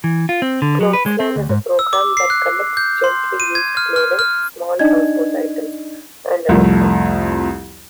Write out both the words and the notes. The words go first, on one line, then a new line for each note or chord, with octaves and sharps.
Clothesline is a program that collects gently used clothing, small household items and electronics.
E3
F4
C4
D3
F#3
B4
G#3
C4
D2
G#2
E6
D6
C7
F#6
G6
C6
D#7
G#6
F6
F6
F6
D4 D#4 D5 D#5 G#6
C2 F2 A3